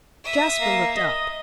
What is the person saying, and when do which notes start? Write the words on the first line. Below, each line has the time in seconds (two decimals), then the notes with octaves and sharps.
Jasper looked up.
0.25 E5 D#6
0.60 A#3
0.97 D#5